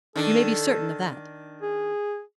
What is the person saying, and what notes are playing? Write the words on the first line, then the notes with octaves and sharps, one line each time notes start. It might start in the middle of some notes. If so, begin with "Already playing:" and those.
You may be certain of that.
D#3 D4 A4
G#4